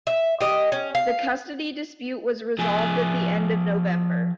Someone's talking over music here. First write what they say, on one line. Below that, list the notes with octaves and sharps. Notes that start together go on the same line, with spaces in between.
The custody dispute was resolved at the end of November.
E5
G4 D#5
C#4
F5
F3 G#4